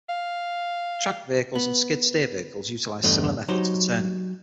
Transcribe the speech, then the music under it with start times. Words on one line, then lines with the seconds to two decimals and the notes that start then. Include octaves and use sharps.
Tracked vehicles and skid steer vehicles utilize similar methods for turning.
0.09 F5
1.55 B3
3.03 E2 G2 A3 D#5
3.48 F#3 D#4 G4 C5